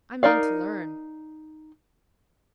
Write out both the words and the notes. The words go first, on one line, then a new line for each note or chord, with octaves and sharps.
I mean to learn.
D#4 A#4 D5 F5